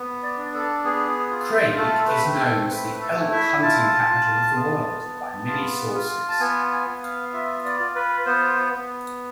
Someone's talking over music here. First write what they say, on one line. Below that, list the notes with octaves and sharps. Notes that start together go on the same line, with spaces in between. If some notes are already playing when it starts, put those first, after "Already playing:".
Craig is known as the "Elk Hunting Capital of the World" by many sources.
Already playing: B3
D5
D4
A4
B3 G#4
F4
A3 A4
B4
C4
A4
A3 B4
B4
A4
E4
E5
F4 A5
F4
B3
B3
F4
F4
A5
B3 G#5
G#5
B3
F5
F4 E5
D5
F4
B4
B3 C5
B3